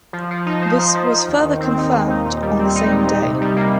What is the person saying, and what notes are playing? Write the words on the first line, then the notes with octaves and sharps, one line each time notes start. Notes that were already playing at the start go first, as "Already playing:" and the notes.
This was further confirmed on the same day.
F3
F3
D#4
C5
F3
F3
D#4
D#2
D#3
C4
D#4
D#2
D#4
A#2
G3
C4
D#4
A#2
D#4
C3
G3
A#3